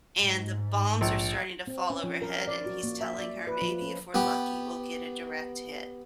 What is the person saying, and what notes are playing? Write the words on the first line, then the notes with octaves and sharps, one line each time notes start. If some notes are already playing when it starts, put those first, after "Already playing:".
and the bombs are starting to fall overhead, and he's telling her, "Maybe if we're lucky, we'll get a direct hit."
G#2
A#1
C4
C#4
F3
A#4
D5
F#4
A#3
E5
D5
B4
F3
C#4
B3 G4